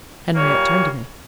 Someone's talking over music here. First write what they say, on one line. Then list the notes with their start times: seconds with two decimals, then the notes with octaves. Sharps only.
Henriette turned to me.
0.35 A#2 G3 A#3 C#5